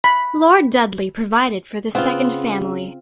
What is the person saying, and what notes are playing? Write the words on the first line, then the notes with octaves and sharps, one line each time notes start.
Lord Dudley provided for this second family.
B5
C#3 B3 C4 F4